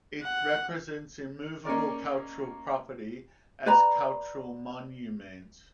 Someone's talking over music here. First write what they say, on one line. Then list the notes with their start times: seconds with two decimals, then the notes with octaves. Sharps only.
It represents immovable cultural property as cultural monument.
0.22 F#5
1.65 A#3 C#4 D#4 A#4 D5
3.66 B4 D5 A#5